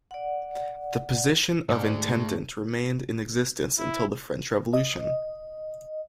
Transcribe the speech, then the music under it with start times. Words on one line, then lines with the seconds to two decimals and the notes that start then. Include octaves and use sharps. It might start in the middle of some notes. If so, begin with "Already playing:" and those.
The position of Intendant remained in existence until the French Revolution.
0.11 D5 F#5
1.69 G#2 A3 D5
3.78 E4
4.73 D#5